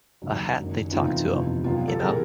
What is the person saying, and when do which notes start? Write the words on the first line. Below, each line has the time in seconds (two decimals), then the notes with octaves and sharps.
A hat they talk to 'em, you know.
0.22 D#2 C#3 F#3
0.58 F#1 F#2 D#3
0.93 E2 C3 E3 A3 C4 D#4 F4
1.28 G1 F2 C3 E3
1.64 C2 B2 F#3 B3 F4 G4
1.88 G4 A4
2.00 C3 E3 G#4 A#4